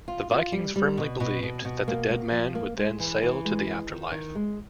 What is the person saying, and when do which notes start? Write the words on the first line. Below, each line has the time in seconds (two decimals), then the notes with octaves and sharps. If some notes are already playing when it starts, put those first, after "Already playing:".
The Vikings firmly believed that the dead man would then sail to the after-life.
0.08 F4
0.31 F4
0.52 G3
0.76 G3
0.98 B2
1.20 B2
1.43 B2
1.65 B2
1.88 A#3
2.10 A#3
2.32 F3
2.55 A#3
2.77 G#3
3.00 E3
3.23 E3
3.45 G#3
3.67 G#3
3.90 D#3
4.11 D#3
4.35 G#3